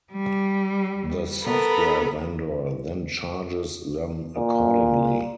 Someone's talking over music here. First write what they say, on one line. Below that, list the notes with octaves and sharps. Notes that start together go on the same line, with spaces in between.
The software vendor then charges them accordingly.
G3
B3 A4 A#4 B5
A#2